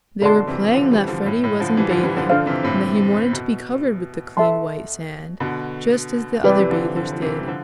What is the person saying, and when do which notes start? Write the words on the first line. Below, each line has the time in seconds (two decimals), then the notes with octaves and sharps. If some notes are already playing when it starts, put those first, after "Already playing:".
They were playing that Freddy was in bathing and that he wanted to be covered with the clean white sand, just as the other bathers did.
0.22 B2 D3 A4 D5 A5 C6
0.47 C3 E3
0.74 D3 F3
0.91 E3 G3
1.08 D3 F3
1.26 A2
1.44 A2
1.60 D3 F3
1.77 E3 G3
1.91 D3 F3
2.03 E3 G3
2.17 D3 F3
2.29 D3 F3 D4 A4 C5 F5
2.46 C3 E3
2.63 A2 C3
3.33 B2
4.37 A4 E5 A5 C6
5.40 B2 D3
6.44 C3 E3 G4 B4 D5
6.59 E3
6.70 D3 F3
6.96 D3 F3
7.12 F3
7.22 C3 E3
7.40 G3
7.48 D3 F3